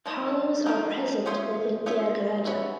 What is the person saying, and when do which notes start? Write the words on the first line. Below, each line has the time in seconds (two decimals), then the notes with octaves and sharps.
Hollows are present within Tyagaraja.
0.06 F3 A#3 D#4
0.66 F3 A#3 D#4
1.26 C#4 F4 G#4 C5 E5
1.86 C#4 F4 G#4 C5 E5
2.45 C#4 F#4 B4 E5